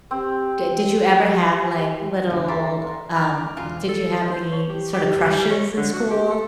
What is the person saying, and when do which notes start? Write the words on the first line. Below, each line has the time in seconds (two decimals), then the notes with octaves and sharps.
D did you ever have, like, little, uh, um did you have any, sort of, crushes in school?
0.11 C4 G4
2.30 D2 C3
2.48 A4 D5 E5 A#5 C6
3.15 A#5 D6 F6
3.57 E1 F2 F4 G#5
3.89 A4
4.31 C5
4.52 C#5
4.70 G4
4.94 G4
5.23 G3
5.51 C#5
5.77 D3
5.94 F#4
6.10 G4
6.31 A4